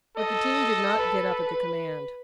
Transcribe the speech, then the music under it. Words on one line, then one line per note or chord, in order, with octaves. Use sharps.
But the team did not get up at the command.
A4 D#5
B4